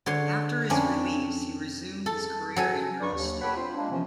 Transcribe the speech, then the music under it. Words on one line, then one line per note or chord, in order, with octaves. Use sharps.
After his release, he resumed his career in real estate.
D3 C#5 C6
F2 C#4 D4
A4
F#3 A4 G#5
G2 F#3 D4 B4 D5 C#6
D#2
G4 A4 C#5 F#5 B5
C4 D4 F4 C5
G#3 A#3 D4
C3 E3 F3 B3 C#4